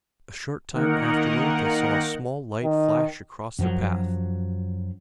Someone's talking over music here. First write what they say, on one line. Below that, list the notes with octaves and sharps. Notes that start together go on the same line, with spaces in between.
A short time afterward they saw a small light flash across their path.
D#3 A#3 D#4 A#4 F#5
D#3
F#2 F3 F#3